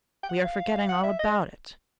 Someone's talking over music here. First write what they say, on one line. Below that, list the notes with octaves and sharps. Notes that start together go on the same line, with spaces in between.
We are forgetting all about it.'
G5
F#5
F5
F#5
E5
D#5